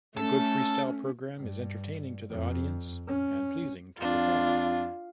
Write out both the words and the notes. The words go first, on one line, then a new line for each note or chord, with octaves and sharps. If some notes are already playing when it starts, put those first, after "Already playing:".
A good freestyle program is entertaining to the audience and pleasing to perform.
A3 C#4 A4
G2
F2
C#4
F2 D4 F4